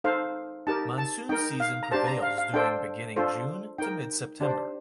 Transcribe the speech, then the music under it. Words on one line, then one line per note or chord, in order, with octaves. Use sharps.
Monsoon season prevails during beginning-June to mid-September.
D#4 A4 C5 F5
D#4 G4 A#4 A5
A5
D#4 A#4 G5
F5
A#5
D4 G4 C5 A5
A#5
F5
F5
D4 A4 C5 G5
D4 F4 A4 C5
D#4 A#4 G5
D4 G4 C5